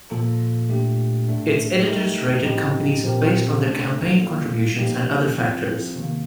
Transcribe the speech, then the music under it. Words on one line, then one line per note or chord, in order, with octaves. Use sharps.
Its editors rated companies based on their campaign contributions and other factors.
A#2 F3 A#3 F4 A4
A#2 A3 D4 G4
A2 A3 D4
A3 D#4 G4 A#4
A2 F3 C4 D#4 G4
A#2 F3 C4 G4 A#4
A3 D4 A4
G3 A#3 F4
F3 A#3 D#4 G4
F3 C4 F4
C3 D#3 A#3